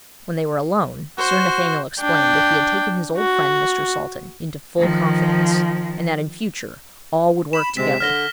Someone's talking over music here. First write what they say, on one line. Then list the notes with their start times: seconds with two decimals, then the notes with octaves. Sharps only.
When they were alone, Sir Nathaniel explained that he had taken his old friend, Mr. Salton, into full confidence, and that in future all would work together.
1.18 F#4 C5
2.01 D4 G5
3.18 F#4
4.78 D#3 F3
7.53 B5 E7
7.77 C3 G#3 C4 B6
8.00 D3 F6 A#6 G7